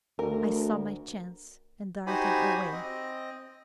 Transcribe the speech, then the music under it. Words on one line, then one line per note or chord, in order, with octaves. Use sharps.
I saw my chance, and darted away.
D2 A#4
D#4 F#4 G4 C5 G#5 B5
C4 D#5